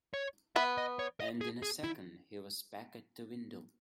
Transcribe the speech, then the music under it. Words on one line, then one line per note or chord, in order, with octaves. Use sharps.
And in a second he was back at the window.
C#5
B3 B4 E5
D#5
C#5
D#5
G#4
G#4
E4